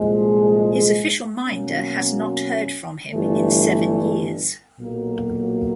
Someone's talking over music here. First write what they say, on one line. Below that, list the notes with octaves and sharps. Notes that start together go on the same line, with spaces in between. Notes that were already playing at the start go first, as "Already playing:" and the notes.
His official minder has not heard from him in seven years.
Already playing: C2 A#2 F3 G#3
B2 F#3 A#3 C#4
G1 G2 E3 A3
B1 A#2 F#3 A#3